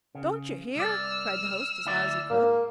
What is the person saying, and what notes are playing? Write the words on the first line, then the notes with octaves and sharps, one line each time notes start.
'Don't you hear?' cried the host as loud as he could.
C#3
C2 D5 E6 F6
D2 E4 D5
G#2 A#3